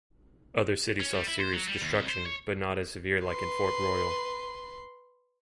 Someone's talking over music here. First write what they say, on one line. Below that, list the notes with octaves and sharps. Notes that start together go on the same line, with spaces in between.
Other cities saw serious destruction but not as severe like in Fort Royal.
C#4
G3
E4
C5
F#3
G3
D#2
C2
C5
C#5
B4 C6